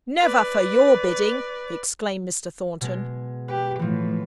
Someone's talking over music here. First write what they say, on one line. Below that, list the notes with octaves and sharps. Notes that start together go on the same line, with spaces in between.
'Never, for your bidding!' exclaimed Mr. Thornton.
B4 D5
B2 G#3
G4 B4
A2 E3 F3